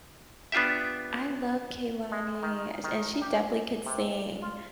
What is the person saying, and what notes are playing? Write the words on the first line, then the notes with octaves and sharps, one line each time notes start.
I love Kehlani, a and she definitely could sing.
B3 D4 F4 G4 E5
G#3
D#3
D#3
G4
C3
F4